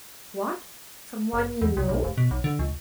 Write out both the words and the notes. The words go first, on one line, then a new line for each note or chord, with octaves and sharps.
"What! someone you know?"
F#1
E2
C2
B1
F1
B2
B1
D3
C#2